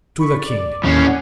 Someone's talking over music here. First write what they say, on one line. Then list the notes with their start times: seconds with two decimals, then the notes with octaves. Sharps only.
"To the king."
0.19 B5 C#6
0.37 D5
0.83 D#2 A2 C#4 C7
1.04 D5 F#5 G#5